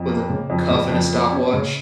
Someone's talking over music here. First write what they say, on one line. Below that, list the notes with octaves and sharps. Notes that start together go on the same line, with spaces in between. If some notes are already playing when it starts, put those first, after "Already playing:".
With a cuff and a stopwatch.
Already playing: F2
A#3
C#3
F2
C#3
F2
A#3
C#4
C#3